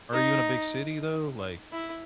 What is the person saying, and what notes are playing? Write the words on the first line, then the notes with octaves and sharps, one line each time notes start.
Are you in a big city though, like
D#4
E4